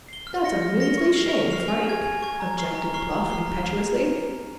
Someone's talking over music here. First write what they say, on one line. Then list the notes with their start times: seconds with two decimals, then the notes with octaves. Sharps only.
"That's a measly shame, Frank!" objected Bluff impetuously.
0.09 C7 G7
0.27 F6
0.44 A#6 C#7 G7
0.62 F6
0.80 A#6 C#7 G7
0.98 C#6
1.16 F6 C7 F7
1.33 C#6
1.51 F6 C7 F7
1.68 G#5
1.86 C#6 G#6
2.04 G#5
2.22 C#6 G#6
2.40 A#5
2.58 C#6 F6 C7 G7
2.75 A#5
2.93 C#6 F6 C7 G7
3.11 A#5
3.29 F6 C7 G7
3.46 A#5
3.65 F6 C7 G7